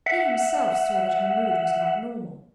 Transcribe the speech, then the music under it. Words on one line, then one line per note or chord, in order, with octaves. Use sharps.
He himself saw that her mood was not normal.
E5 F#5